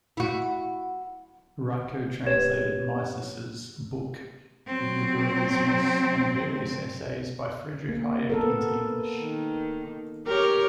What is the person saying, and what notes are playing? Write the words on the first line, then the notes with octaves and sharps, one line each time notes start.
Raico translated Mises' book, "Liberalismus" and various essays by Friedrich Hayek into English.
E4 F#4
G4 B4 C#5 G#6 E7
F#3 C4
A#3
B3 A4 A#4
D#3
G4 A#4 C#5